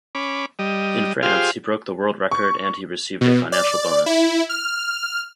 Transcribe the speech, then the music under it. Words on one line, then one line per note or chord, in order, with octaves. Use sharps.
In France he broke the world record and he received a financial bonus.
C#4 B5 D6
G3 D#5
F4 G4 G#4 C5 F5
C#6
B2
D5
E4
F6